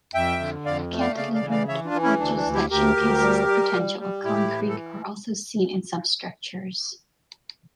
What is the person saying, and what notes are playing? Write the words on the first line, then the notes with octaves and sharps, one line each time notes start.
Cantilevered porches that showcases the potential of concrete are also seen in some structures.
F2 E5 G5
D3
F2 D5 F5
A3
D5 F5
C#3 D5 F5
D5 F5
E3
D5 F5
E3 C#5 E5
D4 F4
E3
C#4 E4
D2 D4
D4
D2
E4 G4
D2 G4 A#4
D2
G3
G3
G3
G3
A2 E4 G4
E3
A4